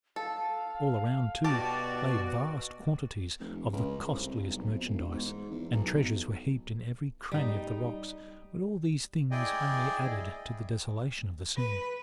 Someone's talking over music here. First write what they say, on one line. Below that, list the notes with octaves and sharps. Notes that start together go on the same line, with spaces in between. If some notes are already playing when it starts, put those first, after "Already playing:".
All around, too, lay vast quantities of the costliest merchandise, and treasures were heaped in every cranny of the rocks, but all these things only added to the desolation of the scene.
A4 F5
B2 F#4 G4 D5 A5
F1
C#2
C2
B1
F2
E1
G#2
E2
B1
G3 D#4
E4 G#4 D5 D#5 G5 G#5
B4